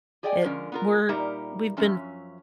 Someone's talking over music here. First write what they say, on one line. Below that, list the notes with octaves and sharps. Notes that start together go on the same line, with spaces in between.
it we're we've been f
G4 G#4 D5 D#5 G5 G#5
D3 F3 G#3 C#4 A#4
B3 F4 A#4
A#2 G3 D#4 G4 A#4 E5
F#2 F3 C#4 E5